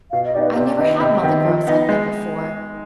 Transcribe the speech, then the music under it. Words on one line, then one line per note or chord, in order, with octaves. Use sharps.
I never had mullygrubs like them before.
B2 F5
D#5
B3 D#4 G4 D5
B4
C5
C3 D5
D#3 B3 D#4 D#5
C3 D#5
D#3 B3
F3
B3 D#4
G#3